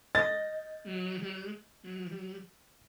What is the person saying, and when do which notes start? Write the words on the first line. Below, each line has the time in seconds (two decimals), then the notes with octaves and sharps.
Mhm. Mhm.
0.15 D#5 A6